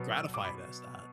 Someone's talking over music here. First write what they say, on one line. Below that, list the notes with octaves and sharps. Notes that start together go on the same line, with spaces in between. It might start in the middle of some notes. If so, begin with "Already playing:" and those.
gratify it as that?
Already playing: B2 F#3 B3
E6
D6
B5